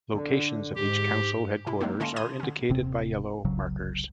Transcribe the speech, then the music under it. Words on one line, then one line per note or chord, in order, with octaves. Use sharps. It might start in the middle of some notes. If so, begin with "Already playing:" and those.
"Locations of each council headquarters are indicated by yellow markers".
D3
G#2 G4
C3 E4
F#3 G#3 A#3 C4 D#4
D3 A#3 C#4 D#5 A5 C6
B5 C6 D#6 G#6 D#7
D3 C#4
D#1 C3 C4
F1 C2 C#3 F#3